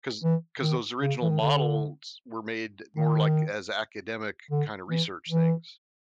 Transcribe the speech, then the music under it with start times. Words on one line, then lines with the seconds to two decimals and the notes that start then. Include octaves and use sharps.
'cause 'cause those original models were made more like as academic kind of research things.
0.23 E3
0.62 D#3
1.01 C#3
1.22 E3
1.31 D#3
1.41 D3
2.97 D#3
4.51 D3
4.90 E3
5.29 E3